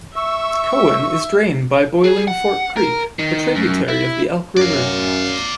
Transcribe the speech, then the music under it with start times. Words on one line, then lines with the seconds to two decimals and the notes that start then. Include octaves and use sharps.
Cowan is drained by Boiling Fork Creek, a tributary of the Elk River.
0.16 E5 C#6 E6
2.04 G#4
2.28 F#5
2.77 A#4
3.19 D#3
3.55 F#2
3.88 E4
4.57 F#2 D5 F5